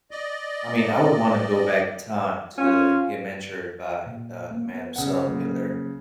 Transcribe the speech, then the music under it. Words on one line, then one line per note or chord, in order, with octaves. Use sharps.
I mean, I would wanna go back in time to get mentored by, uh, the man himself, Hitler,
D5 D#5
C#4 F4
A#2
A#3
B3
C#3 F#5
F3 F#3 A#3